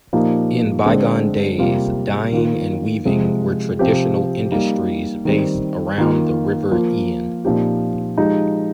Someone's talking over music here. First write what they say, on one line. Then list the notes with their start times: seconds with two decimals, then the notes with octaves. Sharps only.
In bygone days, dyeing and weaving were traditional industries based around the River Ehen.
0.13 A#2 F3 A#3 D#4 G4
0.86 D3 G#3 C4
1.59 C3 G3 A#3 F4
2.33 D#3 A#3 F4
3.05 C3 F3 G#3
3.79 C3 F3 C4 G4
4.52 G3 A#3 D#4
5.25 D#3 G3 C4
5.98 D#3 A#3 F4
6.72 F3 A#3 F4
7.45 A#2 F3 C4 D#4 G4
8.18 F3 G#3 D#4 G4